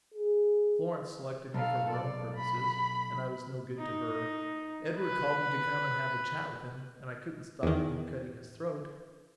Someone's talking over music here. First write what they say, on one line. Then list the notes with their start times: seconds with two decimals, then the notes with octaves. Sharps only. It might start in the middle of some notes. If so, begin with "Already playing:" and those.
Florence selected me for her own purposes, and I was no good to her; Edward called me to come and have a chat with him, and I couldn't stop him cutting his throat.
0.14 G#4
1.54 B1 A4 F5
1.93 D5
2.36 B5
3.78 D#4
4.99 B4
7.63 E2 D#3